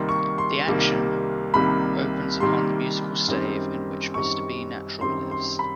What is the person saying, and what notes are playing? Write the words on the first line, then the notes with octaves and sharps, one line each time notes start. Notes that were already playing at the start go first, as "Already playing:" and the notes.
The action opens upon the musical stave in which Mr. B Natural lives.
Already playing: C2 C3 D#3 G3 A#3 C6
C#6
C6
C2 C3 D#3 G3 A#3
C2 C3 D#3 G3 A#3 B5
C2 C3 D#3 G3 A#3 C6
F#2 D#3 G3 C4
F#2 D#3 G3 C4 C#6
F#2 D#3 G3 C4 C6
C6
B5